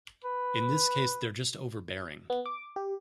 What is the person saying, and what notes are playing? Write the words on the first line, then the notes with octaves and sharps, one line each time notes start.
In this case they're just overbearing.
B4
B3
D6
G4